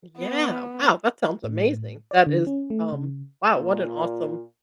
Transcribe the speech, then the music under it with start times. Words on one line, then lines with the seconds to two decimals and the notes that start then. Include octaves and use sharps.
Yeah. Wow, that sounds amazing. That is, um, wow, what an awesome,
0.19 B3
1.44 A2
2.11 D5
2.26 D3
2.47 C#4
2.70 A3
2.92 C#3
3.55 A#2 F4